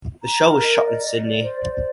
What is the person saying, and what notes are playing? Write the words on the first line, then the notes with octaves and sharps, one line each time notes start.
The show was shot in Sydney.
A#5
A#4
D#5
D5
D5
D5
C5
C5